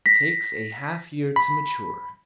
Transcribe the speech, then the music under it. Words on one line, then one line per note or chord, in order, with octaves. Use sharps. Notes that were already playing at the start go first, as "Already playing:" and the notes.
Takes a half year to mature.
A#6 B6
B5